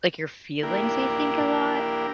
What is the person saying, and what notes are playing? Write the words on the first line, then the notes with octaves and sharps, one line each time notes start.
like, your feelings, I think, a lot?
A#3 D4 E4 G4 A#4